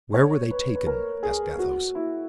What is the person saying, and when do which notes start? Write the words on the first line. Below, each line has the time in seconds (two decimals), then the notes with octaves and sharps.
"Where were they taken?" asked Athos.
0.14 C#5
0.51 B4
0.75 B4
0.87 A#4
1.23 G#4
1.58 F#4
1.95 E4